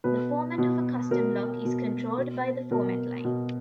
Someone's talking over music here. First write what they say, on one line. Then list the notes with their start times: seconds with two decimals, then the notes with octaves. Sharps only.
The format of a custom log is controlled by the format line.
0.04 B2 B4
0.58 B2
1.11 B2 A#4
1.65 B2
2.18 B2
2.71 B2 A#4
3.25 B2